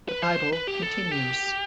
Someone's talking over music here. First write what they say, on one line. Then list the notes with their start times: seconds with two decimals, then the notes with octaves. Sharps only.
The Bible Continues.
0.09 B4
0.22 C5
0.53 B4
0.67 G4
0.82 A4
1.11 G4